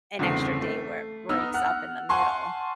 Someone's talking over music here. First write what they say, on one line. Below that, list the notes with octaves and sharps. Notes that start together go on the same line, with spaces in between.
an extra day where it breaks up in the middle.
G1 E2 C#3 A3 C4 C7
A3
B3 D#4 E6 F6
F#5 F6 F#6
F#5 G#5 A5 C6 C#6